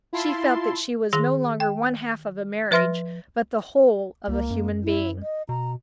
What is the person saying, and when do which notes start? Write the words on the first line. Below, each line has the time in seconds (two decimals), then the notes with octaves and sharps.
She felt that she was no longer one-half of a marriage but the whole of a human being.
0.13 E4 F4 A5 C6
1.13 D#3 G#4 C6 A#6
1.60 G5
2.71 F3 B4 E5 C6 F6 A#6
4.28 C#2 A#3
4.50 F#2
4.84 E4
5.22 D#5
5.49 B2 A#5